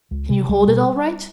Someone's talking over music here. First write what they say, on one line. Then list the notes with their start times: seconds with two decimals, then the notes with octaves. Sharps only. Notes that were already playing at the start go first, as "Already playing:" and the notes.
"Can you hold it all right?"
0.11 C#2
0.30 C3
0.49 C2 G3
0.67 B2